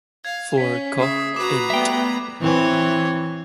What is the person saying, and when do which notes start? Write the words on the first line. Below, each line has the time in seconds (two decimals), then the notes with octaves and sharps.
For Koch int.
0.25 F5 G#6
0.57 C#4 B6
1.00 C#3 E5 D#6 C7
1.36 F#4 B4 A#5 D6 E7
1.70 G3 A3 B3 E5 G5
2.41 E3 C4 C#5